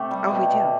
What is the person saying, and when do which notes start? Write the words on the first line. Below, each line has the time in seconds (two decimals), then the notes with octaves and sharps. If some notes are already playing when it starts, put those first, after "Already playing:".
Oh, we do,
Already playing: C3 A3 G4
0.11 G3
0.31 B2
0.50 B2